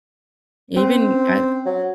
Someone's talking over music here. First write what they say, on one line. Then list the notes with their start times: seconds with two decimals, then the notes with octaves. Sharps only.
even I
0.76 C4 C#4 C5
1.65 F#3